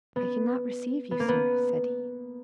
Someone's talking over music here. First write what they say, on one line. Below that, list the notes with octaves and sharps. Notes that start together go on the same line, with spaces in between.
"I cannot receive you, sir," said he.
B3
B3
A#3
B3